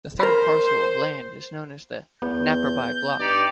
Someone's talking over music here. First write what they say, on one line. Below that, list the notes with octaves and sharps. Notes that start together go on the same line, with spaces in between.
The third parcel of land is known as the Napperby block.
A#4 C5 B5
E2 B3 G6
G2 D#4 G4 D5